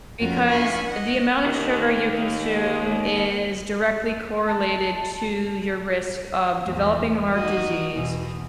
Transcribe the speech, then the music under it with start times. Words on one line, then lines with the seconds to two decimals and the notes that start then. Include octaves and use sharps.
Because the amount of sugar you consume is directly correlated to your risk of developing heart disease,
0.19 F2 F3 C#4 F4 F#4 A#4
0.49 D4 E4 F5 G#5 B5 C#6
0.87 D#5 F#5
1.46 D#3 A#3
4.46 A5
6.62 E2 A2
7.32 D#3 F#4 D#5
7.91 E2 B2